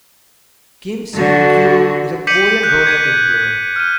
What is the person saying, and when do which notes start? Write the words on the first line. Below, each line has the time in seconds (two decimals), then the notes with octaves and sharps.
Kim Seung-kew is a Korean Government employee.
1.15 D3 F#4
2.27 D6 G6 B6 C#7 D#7 F#7
2.63 F#6 G6
2.87 G#6 B6 D#7
3.76 F6 D#7